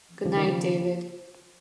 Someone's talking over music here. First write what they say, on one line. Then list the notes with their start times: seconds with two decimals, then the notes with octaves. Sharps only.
Good night, David.
0.25 D#2 C#3 F3
0.37 D#3
0.48 F3